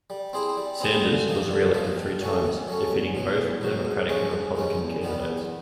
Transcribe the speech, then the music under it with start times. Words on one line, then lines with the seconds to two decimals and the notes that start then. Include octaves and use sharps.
Sanders was reelected three times, defeating both Democratic and Republican candidates.
0.10 G3
0.33 C4 E4 G#4 C5
0.57 G3
0.80 C4 E4 G#4 C5
1.04 D3
1.28 F3 A#3 D#4
1.51 D3
1.74 F3 A#3 D#4
1.97 D#3
2.21 F#3 A3 C#4
2.44 D#3
2.68 F#3 A3 C#4
2.91 E2
3.15 B2 F#3
3.39 E2
3.61 B2 F#3
3.85 G#2
4.09 F3 G#3 C#4
4.31 G#2
4.55 F3 G#3 C#4
4.79 E2
5.02 C3 D#3 G3 B3
5.25 E2